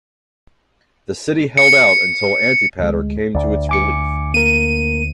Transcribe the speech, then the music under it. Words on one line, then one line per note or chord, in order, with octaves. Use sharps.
The city held out until Antipater came to its relief.
C#7
D2 G#3
D2 D5
G#5 D6 C#7
A#3 A#4 D#7